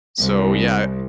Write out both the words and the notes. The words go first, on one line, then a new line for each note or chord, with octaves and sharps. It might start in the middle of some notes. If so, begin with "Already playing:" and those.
so yeah
C2